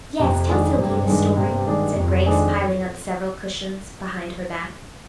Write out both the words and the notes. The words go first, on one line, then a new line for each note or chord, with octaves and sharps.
"Yes, tell Sylvia the story," said Grace, piling up several cushions behind her back.
F2 C3
D#3 G#3 D4 G#4
G2 C3
G2 D#3 G#3 D4 G#4
C3
D#3 G#3 D4 G#4
F2 C3
D#3 G#3 D4 G#4